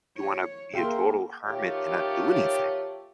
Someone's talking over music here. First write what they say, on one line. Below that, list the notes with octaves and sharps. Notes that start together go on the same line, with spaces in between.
you wanna be a total hermit and not do anything.
C#5
A#3 G#4 A#4 E5 F5 G5 C6
D#3 A3 F4 G4 C#5